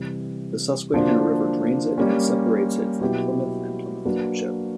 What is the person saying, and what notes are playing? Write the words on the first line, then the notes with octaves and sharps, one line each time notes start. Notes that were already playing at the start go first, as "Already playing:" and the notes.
The Susquehanna River drains it and separates it from Plymouth and Plymouth Township.
Already playing: C3 E3 G3
D3 F3 A#3 D4 F#4
G3 A#3 C#4
B2 F#3 B3 E4 G4
F#3 A#3 D4 F#4 B4